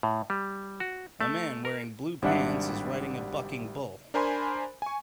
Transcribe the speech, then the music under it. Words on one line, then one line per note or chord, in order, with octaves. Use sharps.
A man wearing blue pants is riding a bucking bull.
A2
G3
F#4
A3
A#4
G#1 G3 D4 E5 F#5
D4 A#4 C5 G#5 B5 C6
G#5 C#6